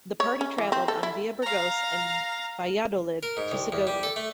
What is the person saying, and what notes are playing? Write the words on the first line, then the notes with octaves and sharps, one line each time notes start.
The party travelled on via Burgos and Valladolid to Segovia.
C#5
C#4
E3
C4
A4
E4
F5 A#5
A#4
G#2
C2
E2
G3
A4
A3